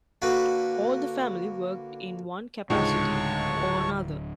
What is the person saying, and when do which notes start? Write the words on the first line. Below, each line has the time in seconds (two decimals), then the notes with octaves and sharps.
All the family worked in one capacity or another.
0.22 D3 A#3 F#4 B4 B5
2.70 D1 C#2 G#2 D3 G#3 C#5 A5 C#6